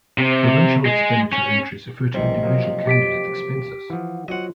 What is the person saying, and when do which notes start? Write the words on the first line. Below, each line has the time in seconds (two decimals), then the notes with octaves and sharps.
Provincial expenditure entries refer to individual candidate expenses.
0.18 C3
0.86 G#3
1.33 C#4
2.14 A#1 C3 E3 G3 D#5
2.43 F3 F#3 A#3
2.87 G4 B6 D7
3.90 E3 F3 F#5
4.28 F#3 F4 F#4 C5 D#5 F#5